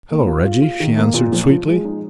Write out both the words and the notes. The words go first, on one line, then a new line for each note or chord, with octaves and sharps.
"Hello, Reggie!" she answered sweetly.
A#3
F4
F4
F4
D#3
A#3
A#2
F3
F3
G#3
D#4